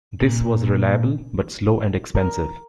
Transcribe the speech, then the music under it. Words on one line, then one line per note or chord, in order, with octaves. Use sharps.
This was reliable but slow and expensive.
A#2
A#4